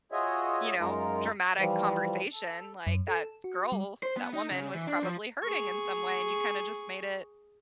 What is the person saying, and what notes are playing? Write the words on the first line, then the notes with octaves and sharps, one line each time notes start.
you know, dramatic conversation like that girl, that woman was probably hurting in some way and you kinda just made it.
F4 F#4 G#4 C#5 D#5 E5
F#2 G#3 D#4 F4 A#4
E3 F3 G3
A4
F#2
A4
F#4
G3
C5
B3
D#4
C#3
E3
D4
F3
G#4 C#6